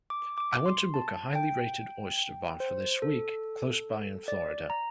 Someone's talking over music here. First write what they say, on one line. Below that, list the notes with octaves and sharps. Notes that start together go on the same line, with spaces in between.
I want to book a highly rated oyster bar for this week close by in Florida.
D6
D6
C6
A5
G5
C5
A4
D5
A#5